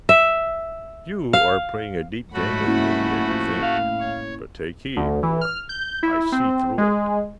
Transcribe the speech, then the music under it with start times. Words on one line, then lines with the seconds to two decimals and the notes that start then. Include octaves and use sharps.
"You are playing a deep game with me, as you think; but take heed, for I see through it."
0.09 E5
1.33 F5
2.34 G#2 F#3 A3 F#4 F#5 B5
2.66 A#3 C#4 E4
3.28 A2 F3
3.63 F5
4.00 C#5
4.96 D2
5.23 E3
5.41 F6
5.69 G6
6.03 E4
6.32 C4
6.78 G#3